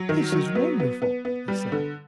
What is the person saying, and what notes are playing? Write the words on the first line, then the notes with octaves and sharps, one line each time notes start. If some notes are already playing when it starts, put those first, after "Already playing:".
"This is wonderful," I said.
Already playing: F#3
D#3
F#3
B3
B3
B3
B3
G3
D3